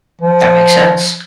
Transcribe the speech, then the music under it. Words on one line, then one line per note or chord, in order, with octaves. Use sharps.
That makes sense.
F3